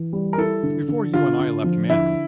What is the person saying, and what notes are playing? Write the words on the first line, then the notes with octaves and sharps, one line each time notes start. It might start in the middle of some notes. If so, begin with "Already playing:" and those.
Before you and I left Manon.
Already playing: E3
G3
A#4
E4 A4
D3
D3
D3 F4
D3
F3
D3 E4